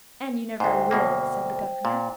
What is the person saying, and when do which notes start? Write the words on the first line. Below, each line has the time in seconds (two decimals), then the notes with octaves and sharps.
"And you never will," said the governor.
0.60 D2 G#2 C5 G5
0.91 D2 B2 A#3
1.85 A#2